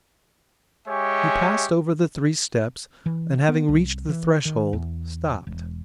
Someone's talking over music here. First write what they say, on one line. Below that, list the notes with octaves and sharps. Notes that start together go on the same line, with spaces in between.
He passed over the three steps; and having reached the threshold, stopped.
G#3 G4 C#5 E5 G#5 C#6
E3
B3
C2
E3
D#3
E2
E1